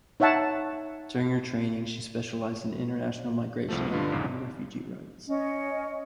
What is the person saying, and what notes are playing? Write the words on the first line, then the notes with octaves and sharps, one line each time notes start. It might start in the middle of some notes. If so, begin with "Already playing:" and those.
During her training she specialised in international migration and refugee rights.
D#4 C#5 E5 F#5 A5
C2 F3 A3
G2 D3 F4 B4 D#5
B1 E2 G#2 C#3 G#3
C#4 D#5